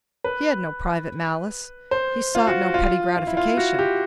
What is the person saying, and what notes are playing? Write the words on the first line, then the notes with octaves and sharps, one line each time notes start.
He had no private malice--he sought no petty gratification.
B4
C5
F4
F#4
F4
F4
E4
F4
F#4
G4